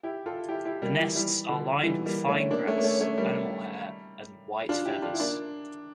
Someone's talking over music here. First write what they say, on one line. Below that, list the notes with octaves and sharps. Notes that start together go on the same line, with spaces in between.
The nests are lined with fine grass, animal hair and white feathers.
E4 G4
F4 A4
E4 G4
E4 G4
G3 A#3
E3 G3
E3 G3
D3 F3
E3 G3
G3 A#3
A3 C#4
A#3 D4
A3 C#4
A#3
A3 C#4
A3 C#4
G3 A#3
D4 F4
E4 G4
D4 F4
E4
A#3 D4